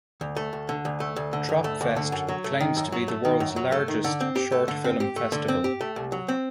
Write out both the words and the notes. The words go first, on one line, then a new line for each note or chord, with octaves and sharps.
Tropfest claims to be the world's largest short film festival.
D2
A3
D2
D3
D2
A3
D2
D3
D2
A3
D2
D3
F#2
F#3
A3
D#3
F#2
F#3
A3
D#3
F#2
F#3
A3
D#3
D3
C4
G4
A3
D3
C4
G4
A3
D3
C4
G4
A3
C2
F#3
C4